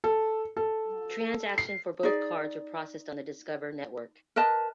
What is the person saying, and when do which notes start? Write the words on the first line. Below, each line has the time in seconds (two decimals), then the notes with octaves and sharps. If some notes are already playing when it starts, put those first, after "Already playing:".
Transactions for both cards were processed on the Discover Network.
0.04 A4
0.57 A4
1.58 C7
2.03 D#4 G#4 D5
4.36 A#4 B4 D#5 A5